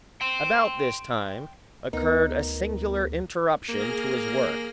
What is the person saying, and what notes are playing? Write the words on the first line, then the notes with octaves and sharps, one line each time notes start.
About this time occurred a singular interruption to his work.
G5 C6
D2 B3 D#4 A#4
A#3 G#4 F6 A#6